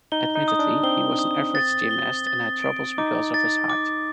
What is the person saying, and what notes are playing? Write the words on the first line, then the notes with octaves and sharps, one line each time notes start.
Admittedly, he was an average gymnast and had troubles because of his height.
D#4 G7
D#4
D#6
D4
C4 G7
D#6
A6
G7
A6
D7
D#4 D6
A6
D6